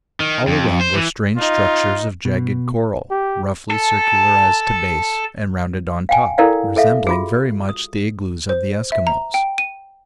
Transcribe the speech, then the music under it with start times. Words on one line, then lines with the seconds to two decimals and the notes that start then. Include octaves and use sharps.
All around were strange structures of jagged coral, roughly circular as to base, and rounded on top, resembling very much the igloos of the Eskimos.
0.20 D#3
0.47 F2
0.81 C5
0.94 E3
1.38 D#4 F4
2.25 B2
3.10 G4
3.70 A4 A5
6.09 F5 G5 G#5
6.38 E4 A4 A#4 D5 F5 G5
6.76 G#4 A4 E5 F5
7.07 F4 F#4 G#4
7.69 D#6
8.49 C5
8.92 E5
9.07 A#5
9.34 G5
9.58 D#7